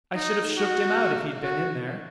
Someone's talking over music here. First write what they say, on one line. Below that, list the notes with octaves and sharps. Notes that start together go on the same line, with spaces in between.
"I should have shooked him out, if he'd been in there!"
D#4
F#4
F#4